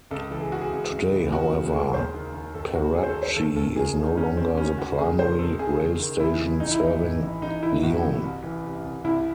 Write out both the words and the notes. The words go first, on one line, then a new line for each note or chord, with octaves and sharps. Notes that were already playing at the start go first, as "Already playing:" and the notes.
Today, however, Perrache is no longer the primary rail station serving Lyon.
C#2 A4
E3 A4
G#4
C#3 F#4
G#4
C#2
C#2
E3
C#3 F#4
C#2
D#2 G#4
D#2 C5
D#3
D#3
D#2 A4
D#2 F#4
D#3 G#4
C5
A4
D#3
C5
D#2 A4
D#2 A4
D#3 G#4
D#3
D#4
D#2 C#4
D#2 C4
D#3 C#4
D#3 F#4
C#2 G#4
D#3 C5
C3 A4
C#2 G#4
C#2
D#3
C3 E4
C#2
A1 D#4
E4
E3 D#4
A2
A1
A1 D#4
E3 E4
A2 F#4
A1
C2
E3
C3
C2
C2 E4